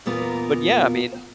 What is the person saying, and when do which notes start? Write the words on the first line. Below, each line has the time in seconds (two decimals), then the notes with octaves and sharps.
But, yeah, I mean,
0.06 E2 A#2 B3 F4 A#4 A#5